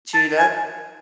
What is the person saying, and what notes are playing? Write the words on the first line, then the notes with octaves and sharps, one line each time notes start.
Chewed up.
A5
G#5